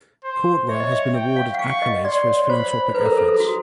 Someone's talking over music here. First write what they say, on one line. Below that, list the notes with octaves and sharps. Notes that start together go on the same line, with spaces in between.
Caudwell has been awarded accolades for his philanthropic efforts.
C5
C#5 E5
D#5
E5
E5 G5
F5
F#5
F5 C#6
D#5
D5 C6
C#5
C5 B5
C5
B4 A#5
A4
A#4
A4
A4
F#4